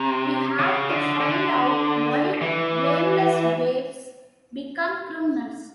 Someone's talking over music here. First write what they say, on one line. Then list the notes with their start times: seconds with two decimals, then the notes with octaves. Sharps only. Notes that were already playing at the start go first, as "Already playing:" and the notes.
We have to find out why blameless babes become criminals.
Already playing: C3
0.59 C#3
0.89 D3
1.20 D3
2.42 E3